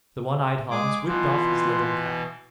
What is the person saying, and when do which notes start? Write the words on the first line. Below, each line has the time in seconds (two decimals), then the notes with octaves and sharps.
The one-eyed Hans whipped off his leathern cap.
0.70 G#3 G#4 D6
1.06 B2 E3 F4